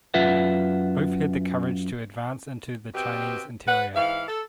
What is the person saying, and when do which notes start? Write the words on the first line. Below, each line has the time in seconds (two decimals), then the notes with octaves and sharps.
Both had the courage to advance into the Chinese interior.
0.14 F#2 F4 B4 E5 F#5
2.94 B2 C4 G4 B4
3.67 B4 F#5
3.94 G#2 E3 F5
4.27 A4